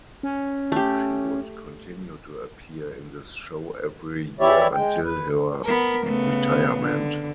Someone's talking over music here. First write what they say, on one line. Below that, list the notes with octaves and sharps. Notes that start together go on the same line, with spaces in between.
She would continue to appear in this show every year until her retirement.
C#4
A3 G4
E3 E4 G4 C#5 D5 E5
G#3 G5
B4
B3 A#4
C#3 A3 B3
D3